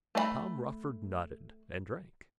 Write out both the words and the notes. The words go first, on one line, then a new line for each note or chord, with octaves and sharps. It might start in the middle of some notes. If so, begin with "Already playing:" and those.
Tom Rochford nodded and drank.
A3 D5 B5